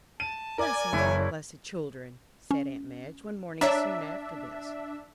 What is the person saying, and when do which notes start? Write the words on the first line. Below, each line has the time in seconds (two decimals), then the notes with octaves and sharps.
"Blessings on the blessed children!" said aunt Madge, one morning soon after this.
0.20 A5 D#7
0.58 A#4 D5 G#5 D6
0.93 F#1 E4 C#5
2.51 C#4
3.61 D4 C#5 E5 A#5